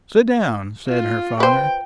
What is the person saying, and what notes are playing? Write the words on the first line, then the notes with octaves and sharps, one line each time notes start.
"Sit down!" said her father.
F4
B4 C5 G5